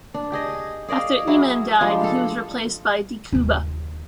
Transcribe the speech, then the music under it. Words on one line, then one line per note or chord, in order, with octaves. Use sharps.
After Eman died he was replaced by De Cuba.
D4
G4 G#4 D#5
G#4 D5 D#5 F5
F#3 E4 G#4
F3 G3 G#3 D4
A4 F5
D#2 D#3